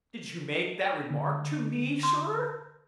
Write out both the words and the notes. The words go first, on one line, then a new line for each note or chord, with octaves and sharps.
Did you make that remark to me, sir?'
D3
C6